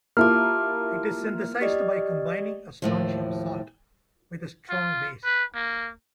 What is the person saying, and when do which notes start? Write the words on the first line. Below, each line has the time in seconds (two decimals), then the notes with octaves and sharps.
It is synthesized by combining a strontium salt with a strong base.
0.17 A#3 E4 F4 G4 A5 D6 F6
1.61 G4 D5 D#5
2.82 D#2 A2 F3
4.69 F4
5.24 B4
5.55 A#3